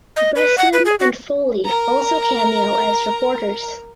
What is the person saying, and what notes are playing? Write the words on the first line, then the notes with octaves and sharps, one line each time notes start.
Breslin and Foley also cameo as reporters.
D#5
B4
F#5
B4
G#4
F#4
A#4 A#5